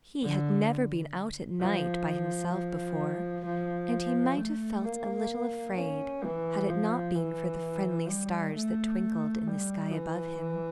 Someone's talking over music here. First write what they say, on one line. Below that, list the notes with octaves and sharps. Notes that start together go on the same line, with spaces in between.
He had never been out at night by himself before, and he might have felt a little afraid had it not been for the friendly stars that twinkled in the sky above him.
D3
F3
F3
F3
A3
A#3
C#4
E3
F3
E3
G3
A3
G3
E3